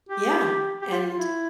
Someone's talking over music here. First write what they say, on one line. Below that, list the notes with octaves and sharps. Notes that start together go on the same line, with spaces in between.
yeah, and
G4
G4
F4
F4
E4